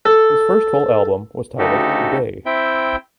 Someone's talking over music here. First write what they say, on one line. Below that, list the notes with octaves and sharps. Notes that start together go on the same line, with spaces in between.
His first full album was titled "Bae".
A4
D2 C#3 D#4 F#4 G4 A4
C4 E4 E5 G5 G6